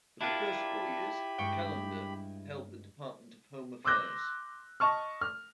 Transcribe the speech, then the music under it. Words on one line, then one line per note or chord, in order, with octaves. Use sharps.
For the first four years, Calonder held the Department of Home Affairs.
D4 E4 F4 G4 A#4 B5
G2 G#3 G5 C#6
C6 D6 E6 F#6 G6 A#6
D#5 A5 C#6 F6
F6